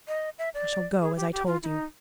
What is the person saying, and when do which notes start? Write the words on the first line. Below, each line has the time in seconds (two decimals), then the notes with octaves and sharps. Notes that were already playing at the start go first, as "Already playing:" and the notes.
I shall go, as I told you.
0.08 D#5
0.39 E5
0.54 D5
1.01 G#4
1.16 G4
1.32 G4
1.47 F4
1.63 E4
1.66 D#4